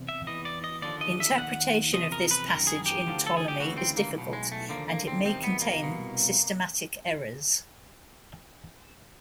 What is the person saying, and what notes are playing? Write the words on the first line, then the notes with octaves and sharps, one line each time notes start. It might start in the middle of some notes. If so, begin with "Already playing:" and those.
Interpretation of this passage in Ptolemy is difficult, and it may contain systematic errors.
Already playing: E2 C3
E5
E2 C#3 E3 D#5
D5
D#5
D#2 D3 F3 D5
D#5
E5
D#2 D#3 F#5
E2 C3 F3 D#5
A#4
B4
F#2 D#3 A#4
G#4
G4
D2 D3 F3
A4
G#4
G4
D2 C#3 E3 F#4
C4
A#3
B1 B2
G#3
A3
D#2 D3 F3 A#3
A#3
C4
E2 C3 D#3 C4
B3
A#3
C2 B2